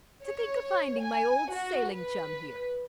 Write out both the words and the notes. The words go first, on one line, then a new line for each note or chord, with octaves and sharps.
To think of finding my old sailing chum here!
C#5
G#5
F#4
B4